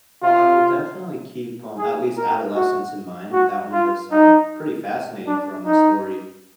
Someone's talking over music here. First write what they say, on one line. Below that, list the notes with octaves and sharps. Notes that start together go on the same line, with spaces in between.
Well, I will definitely keep, um, at least Adolescence in mind, that one does sound pretty fascinating from a story
F4
G#4
A#4
F#4
F#4
F4
D#4
D4
D#4